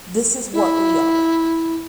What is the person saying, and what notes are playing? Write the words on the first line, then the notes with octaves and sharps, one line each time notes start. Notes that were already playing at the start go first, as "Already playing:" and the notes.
This is what we are!
E4